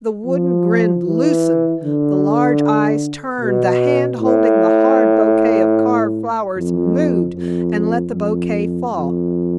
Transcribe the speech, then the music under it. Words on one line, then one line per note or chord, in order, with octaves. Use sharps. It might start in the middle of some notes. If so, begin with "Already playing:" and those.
The wooden grin loosened, the large eyes turned, the hand holding the hard bouquet of carved flowers moved, and let the bouquet fall.
F3
E3
D3
B2
A2
F2
F2
F2
F2